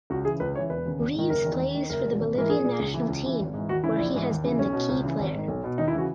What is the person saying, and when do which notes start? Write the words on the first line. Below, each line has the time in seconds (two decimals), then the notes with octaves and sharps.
Reaves plays for the Bolivian national team where he has been the key player.
0.10 C#2 F#4
0.25 C#3 E3 G#4
0.40 C#2 B4
0.55 C#3 C#5
0.59 E3
0.70 E1 B4
0.86 D#2 C#3
1.00 G#1
1.15 G#2 D#3
1.30 F#1 A#4
1.44 E2 D#3
1.60 D#2
1.75 D#3
1.90 F#1 A#4
2.05 E2 B2
2.19 G#1
2.34 G#2 E3 A#4
2.50 A#1 G#4
2.64 A#2
2.79 C#2
2.94 C#3 E3
3.09 C#2
3.24 C#3 E3
3.40 G#1
3.54 G#2 E3
3.68 D#2 F#4
3.83 C#3 E3 E4
3.99 A#1
4.14 G#2 E3
4.29 D#2
4.44 C#3 E3
4.59 B1 C#4
4.73 B2
4.89 C#2
5.04 C#3 E3
5.19 G#1
5.33 G#2 D#3
5.48 B1
5.64 B2
5.78 D#2 D#4
5.88 E4
5.93 C#3 E3 F#4